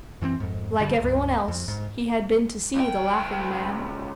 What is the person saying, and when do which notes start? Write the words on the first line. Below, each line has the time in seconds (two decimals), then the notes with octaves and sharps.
Like every one else, he had been to see the Laughing Man.
0.22 F#2 E3 B3 C4
0.40 F2 G#2
0.79 G2 D3 E3 G3
1.00 C#2 G2
1.48 F2
1.68 G#2
2.76 C#2 G5